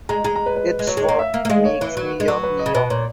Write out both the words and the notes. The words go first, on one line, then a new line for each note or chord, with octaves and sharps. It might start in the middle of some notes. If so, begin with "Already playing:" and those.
It's what makes New York New York.
G#3 A#5
G#3 A#5
A#5
B4
B4
G#3
F#3 C#5
G#3
C#5
A#3
E5
A#3
A#3
G#3 D#5
C#5
E3 B4
F#3
G#3
F#3
B4
D#5
C#3
B2 B4
A#2 C#5